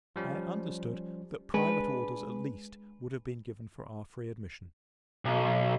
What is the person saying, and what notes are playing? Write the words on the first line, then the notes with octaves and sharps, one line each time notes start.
I understood, that private orders, at least, would have been given for our free admission.
F3 G3 C#4
G#3 D4 B4
B1